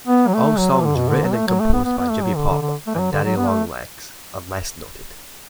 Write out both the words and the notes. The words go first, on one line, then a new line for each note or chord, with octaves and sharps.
All songs written and composed by Jimmy Pop and Daddy Long Legs unless noted.
B3
F#3
A3
F#3
F#3
E3
D3
B2
D3
F#3
A3
F#3
A3
B3
B3
B3
A3
F#3
D3
D3
D3
A3
E3
F#3
D3
F#3
B3
A3